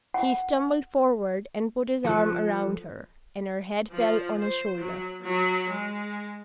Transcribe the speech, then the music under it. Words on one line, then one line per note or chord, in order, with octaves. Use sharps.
He stumbled forward and put his arm round her, and her head fell on his shoulder.
F#5
F3 A4 F#6
F3
C5
F#3
F#3
G#3